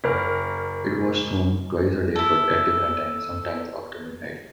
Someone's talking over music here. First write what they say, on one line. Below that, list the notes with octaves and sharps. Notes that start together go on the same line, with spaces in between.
It was shown twice a day, but at different times, sometimes after midnight.
F#1 A#4 F6
E4 A4